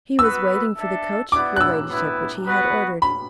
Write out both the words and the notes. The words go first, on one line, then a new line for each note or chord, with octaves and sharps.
"He was waiting for the coach, your ladyship, which he had ordered."
B3 F#4 B4 E6
D4 A4 E5
B3 E4 D5 F#5 D6
F#6
E6
B3 E4 B4
B3 F#4 B4 F#5
B5